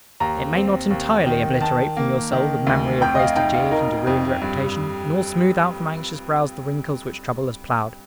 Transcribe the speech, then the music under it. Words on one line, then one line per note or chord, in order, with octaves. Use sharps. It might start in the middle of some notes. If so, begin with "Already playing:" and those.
It may not entirely obliterate from your soul the memory of wasted years and a ruined reputation, nor smooth out from anxious brows the wrinkles which trouble has ploughed.
D#2 A#5
C4
D#2
D#3
D#3 A5
A#3
D#3
D2
F2 G5
D#5
F5
D#4 G5
F5
D#4 A#4
F2
G2